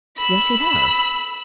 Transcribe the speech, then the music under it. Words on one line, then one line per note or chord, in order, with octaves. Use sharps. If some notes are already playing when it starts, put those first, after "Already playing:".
"Yes, he has."
B5 E6